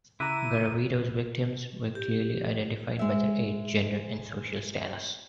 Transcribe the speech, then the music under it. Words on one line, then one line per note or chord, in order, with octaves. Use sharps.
Garavito's victims were clearly identified by their age, gender and social status.
C#3 E4 A#5 D6 E6 F#6 D#7
G4
G#3 E5